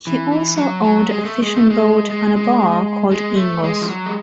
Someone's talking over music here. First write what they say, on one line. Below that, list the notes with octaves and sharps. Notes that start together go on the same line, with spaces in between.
He also owned a fishing boat and a bar called "Ingo's".
E3
E3
F#3
F#3
G#3
A3
G#3
A3
G#3
G#3
G#3
G#3
A3
G#3
F3
F#3
G#3